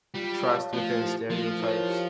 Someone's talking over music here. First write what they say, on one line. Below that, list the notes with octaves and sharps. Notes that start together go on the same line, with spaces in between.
trust within stereotypes,
G3 F4
C#5 F5 A5
F3 A3
E4 G4
F3 A3
E4 A#4 C#5
G4